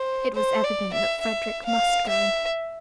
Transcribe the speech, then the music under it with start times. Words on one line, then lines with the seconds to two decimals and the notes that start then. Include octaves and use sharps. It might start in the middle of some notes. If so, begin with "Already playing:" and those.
It was evident that Frederick must go.
Already playing: C5
0.35 C5
0.64 D5
0.93 E5
1.22 E5
1.66 F5
2.09 E5